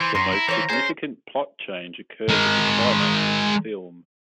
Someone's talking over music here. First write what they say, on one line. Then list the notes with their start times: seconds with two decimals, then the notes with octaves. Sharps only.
The most significant plot change occurs at the climax of the film.
0.01 E3 C5
0.15 F#2 A#5 C6
0.33 E4
0.48 E3 C5 C#5 F5
0.69 C#4 G#4 C5
2.29 G#3 A#4